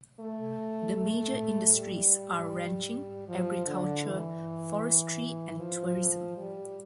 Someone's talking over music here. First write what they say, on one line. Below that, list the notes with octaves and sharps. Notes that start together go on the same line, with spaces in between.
The major industries are ranching, agriculture, forestry, and tourism.
A3
A3
G3
F3
D3
E3
F3
G3